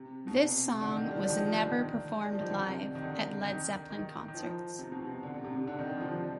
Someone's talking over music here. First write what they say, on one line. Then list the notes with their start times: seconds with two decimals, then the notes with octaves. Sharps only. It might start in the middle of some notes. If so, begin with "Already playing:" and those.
This song was never performed live at Led Zeppelin concerts.
Already playing: C3
0.27 B2
0.36 C3
0.81 D3
0.96 D#3
1.11 G3
1.20 F3
1.30 D#3
1.39 F3
1.58 D3
1.69 D#3
2.25 G3
2.33 F3
2.41 D#3
2.50 D3
2.58 C3
2.95 D#3
3.02 D3
3.46 D#3
3.90 D#3
4.28 D#3
4.34 F3
4.79 C3
4.92 B2
5.05 C3
5.23 D3
5.34 C3
5.44 C3
5.56 C3
5.67 D3
5.79 D#3
5.89 D#3
6.01 F3
6.12 G3